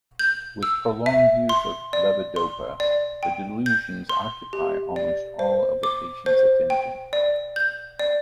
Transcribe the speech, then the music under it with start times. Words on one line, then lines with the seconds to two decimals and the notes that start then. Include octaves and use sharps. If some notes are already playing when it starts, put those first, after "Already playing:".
With prolonged use of levodopa, the delusions occupy almost all of a patient's attention.
0.19 G6
0.63 E6
1.06 E5
1.49 C6
1.93 D5
2.36 C6
2.80 D5
3.23 G5
3.66 G6
4.09 C6
4.53 G4
4.96 D5
5.39 C5
5.83 D6
6.26 C5
6.70 G5
7.13 D5
7.56 G6
7.99 D5